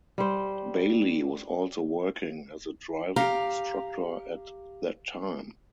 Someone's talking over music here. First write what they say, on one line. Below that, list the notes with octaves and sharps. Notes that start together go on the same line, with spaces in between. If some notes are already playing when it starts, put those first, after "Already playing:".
Bailey was also working as a driving instructor at that time.
G3 C5
G4 F5 A#5